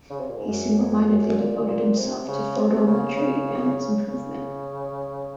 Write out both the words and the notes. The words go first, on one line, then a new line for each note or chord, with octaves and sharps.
He singlemindedly devoted himself to photometry and its improvement.
C#3
C3
A#2
G#2
F#2
F2
F#2
A#2
A#2
C3
C#3
C3
C3
C#3
C#3
C#3